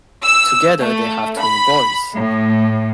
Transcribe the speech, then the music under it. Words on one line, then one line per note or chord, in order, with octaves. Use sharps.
Together they have twin boys.
E6
A3
B5
A2